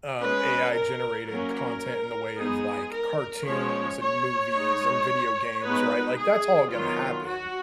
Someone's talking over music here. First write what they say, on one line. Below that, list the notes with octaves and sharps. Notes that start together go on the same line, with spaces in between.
um, AI generated content in the way of, like, cartoons and movies and video games, right? Like, that's all gonna happen.
G#3 C#4 B4
A#4
F#3 A#3 C#4 A#4
G#3 B3 D#4 G#4
A#4
F3 G#3 C#4 C#5
C#5
G#3 D#4
G#3 B3 D#4 B4
G#4
D#3 F#3 B3 F4
F#4